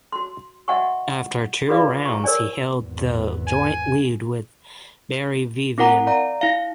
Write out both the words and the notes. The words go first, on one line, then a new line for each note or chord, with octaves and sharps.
After two rounds he held the joint lead with Barry Vivian.
F#4 C6
F#4 D#5 E5 F#5 G#5 C#6
F4 F#4 G#4 B4 D5 F5
E4 C#6
A#4 C#5 D5 G#5
G#1 E2
G#5
C4 E4 A#4 F#5 A#5
D5 F5 A#5
E4 F5